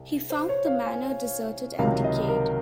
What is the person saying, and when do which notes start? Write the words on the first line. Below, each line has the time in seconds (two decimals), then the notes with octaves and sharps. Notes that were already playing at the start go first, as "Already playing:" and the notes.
He found the manor deserted and decayed.
Already playing: C2
0.30 C5
0.49 C#5
0.67 F5
0.86 G#5
1.79 C#2 C3 D#3 F#3 F5
2.04 D#5
2.29 A#4